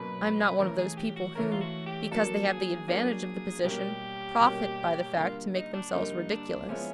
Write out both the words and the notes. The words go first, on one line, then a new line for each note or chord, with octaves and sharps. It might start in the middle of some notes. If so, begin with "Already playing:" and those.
I am not one of those people who, because they have the advantage of the position, profit by the fact to make themselves ridiculous.
Already playing: B2 F#3 A#3 C#4 B4
E3 A3 C#4 A#4
G#4
G4
F#4
E3 A3 C#4 A#4
F4
F#4
G4
F#3 A#3 D4 F#4 A4
G#4
F#3 A#3 D4 F#4 G#4
B2 G3 A#3 C#4 G4
B2 G3 A#3 C#4
D3 G3 A#3 F4
D#4
D4
D3 G3 A#3 D#4
D4
F3 G#3 B3 C#4 E4